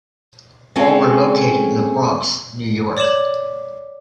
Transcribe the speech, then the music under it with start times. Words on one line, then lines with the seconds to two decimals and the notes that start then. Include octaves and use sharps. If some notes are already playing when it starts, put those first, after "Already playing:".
All were located in the Bronx, New York.
0.76 G#3 C4 C#4 F4 G#4 A4
2.97 C#5 D5 D6 E7 F#7